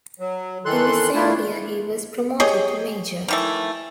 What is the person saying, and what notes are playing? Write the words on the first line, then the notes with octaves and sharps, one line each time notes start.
In the same year he was promoted to major.
F#3
D#3 E3 A4 C6 F#6
A3 D4 E4 F4
G4 G#4 C#5 D#5
D#3 E3 A3